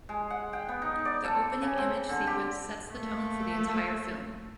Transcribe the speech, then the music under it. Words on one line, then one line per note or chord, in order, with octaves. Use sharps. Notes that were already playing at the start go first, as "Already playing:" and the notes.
The opening image sequence sets the tone for the entire film.
G#3
F#5
G5
B3
D#4
D5
A4
C#3
C4
D3
G4
A3 A#3